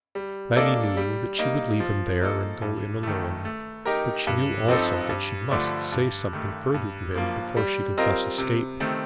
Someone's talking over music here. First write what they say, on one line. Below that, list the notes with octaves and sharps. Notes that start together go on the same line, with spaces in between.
Fanny knew that she would leave him there and go in alone, but she knew also that she must say something further to him before she could thus escape.
G3
A#3 D4 A4 D#5
G3
A#3 D#4
F3
A#3 D#4 A4
G2
D#3 A3
A3
D#4 G4 A#4
G2
F3 C4 D#4 A4
G2
D3 F3 A3 D4
G2
D#3 A3
G2
F3 A#3
G3
C4 F4 A#4 D#5
C3
D#3 A3 C4